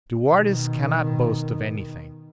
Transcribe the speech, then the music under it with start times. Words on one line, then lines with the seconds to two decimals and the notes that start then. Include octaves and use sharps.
"De Wardes cannot boast of anything."
0.28 B2 D#3